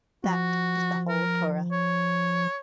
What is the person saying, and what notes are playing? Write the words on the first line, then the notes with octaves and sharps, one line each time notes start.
That is the whole Torah.
F3 F#4
A#4
C#5